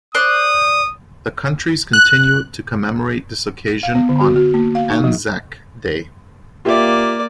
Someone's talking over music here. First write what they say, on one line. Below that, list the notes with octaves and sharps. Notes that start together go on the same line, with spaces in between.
The countries continue to commemorate this occasion on Anzac Day.
C5 D5 D#6 F#6
F#6
F5
B3
D3
F#4
F#4
A#3
F5
D#4
F3
A#3 F4 G4 D5 E5